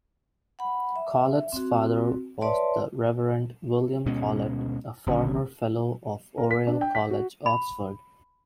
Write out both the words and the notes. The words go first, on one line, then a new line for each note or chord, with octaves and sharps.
Collett's father was the Reverend William Collett, a former fellow of Oriel College, Oxford.
F#5 B5
E5
C4 F#4
B4 C#5 D5 E5 A5 C6
D2 B2 G#3 C#4
D#1 A#1 D3 C#4
A#4
B6
D4
G5
B6
F#4
B5